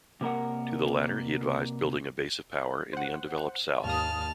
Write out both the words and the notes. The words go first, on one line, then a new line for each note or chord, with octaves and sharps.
To the latter, he advised building a base of power in the undeveloped south.
C3 A#3 A#4 F#5
C5 F#5
D#2 G#2 F5 A5 D#6 F6